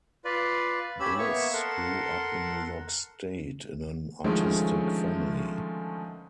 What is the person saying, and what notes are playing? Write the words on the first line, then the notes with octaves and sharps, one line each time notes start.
Bliss grew up in New York State in an artistic family.
F4 B4 D5
C#4 G4 B5 E6
A#3 B3 C#5 E5 C#6
A4 A#4 F#5 C6
D3 D#3 F3 G#3 A3 C#4